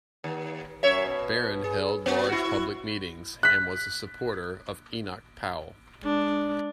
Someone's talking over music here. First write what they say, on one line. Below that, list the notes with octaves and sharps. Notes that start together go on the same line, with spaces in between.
Baron held large public meetings and was a supporter of Enoch Powell.
D#2
F#2 C#5 E5
B2
G#4
B3 F#4
E4 F#4
F#6 B6
G#3 D4